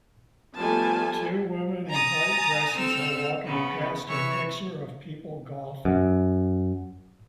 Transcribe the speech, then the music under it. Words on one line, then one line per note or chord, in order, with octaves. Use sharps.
Two women in white dresses are walking past a picture of people golfing.
F3 G3 A3 B3 G#5 A5
G#5 A#5 D#6 A6
C4 A4 E6 F6
C#3 B3
C3 E3 C#5 C#6 E6
F#2